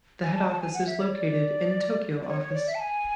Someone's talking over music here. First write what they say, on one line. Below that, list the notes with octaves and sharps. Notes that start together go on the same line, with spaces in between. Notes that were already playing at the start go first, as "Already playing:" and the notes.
The head office is located in Tokyo Office.
G#5
A5
A5
G#5
F#5
E5
C#5
D5
D5
D5
C#5
C#5
D5
E5
A5
G#5